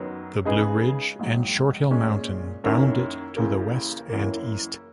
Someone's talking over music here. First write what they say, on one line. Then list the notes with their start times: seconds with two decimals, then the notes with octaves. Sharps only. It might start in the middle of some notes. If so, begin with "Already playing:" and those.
The Blue Ridge and Short Hill Mountain bound it to the west and east.
Already playing: F#2 D#3 F#3 B3
0.45 C#3 G#3 D#4 G#4 B4
1.19 A#1 G#2 F#3
1.91 A#2 G#3 C#4
2.64 F#2 D#3 A#3 C#4 E4
3.37 D#2 C#3 E3 A#3
4.10 F#1 F#2 E3 A#3